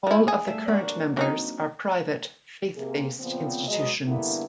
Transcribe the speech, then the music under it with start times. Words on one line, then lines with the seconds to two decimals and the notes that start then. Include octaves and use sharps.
All of the current members are private, faith-based institutions.
0.07 F3 E4
0.28 G#4
0.47 A3 E5 F5
0.68 A#3 D4 F#4
1.17 F#3 C4 D#4
2.77 C3 A#3 G#4
3.20 A#2 C#3 F3 B3 C4
3.68 B2 F#3 G#3 B3 D#5
4.06 G2 D3 A#3 B3 E4